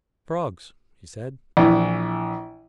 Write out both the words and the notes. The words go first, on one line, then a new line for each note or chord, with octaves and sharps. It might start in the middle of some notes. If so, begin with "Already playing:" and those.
"Frogs," he said.
A#1 E3